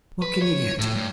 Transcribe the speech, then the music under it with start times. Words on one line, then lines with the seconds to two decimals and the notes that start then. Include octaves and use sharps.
"What can you get?"
0.22 B4
0.42 C#5
0.79 A2
0.95 G2